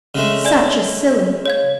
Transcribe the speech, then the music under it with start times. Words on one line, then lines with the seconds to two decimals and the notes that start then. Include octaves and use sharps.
Such a silly!
0.15 C#3 G#3 A3
0.45 C#5 D5 G#5
1.46 C#5 F5 G#6